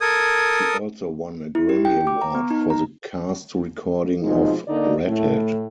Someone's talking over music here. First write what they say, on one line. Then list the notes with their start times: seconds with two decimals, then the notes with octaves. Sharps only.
She also won a Grammy Award for the cast recording of "Redhead".
0.01 A4 A#4 D#6 G#6
1.55 E4
1.69 G4
1.85 G5
2.07 D6
2.22 A#5
2.35 B3
2.51 D#4
2.70 A#5
4.23 B2 F3 G#3 C4 D#4
4.68 D3 A#3 D#4 D5
5.06 A2 A3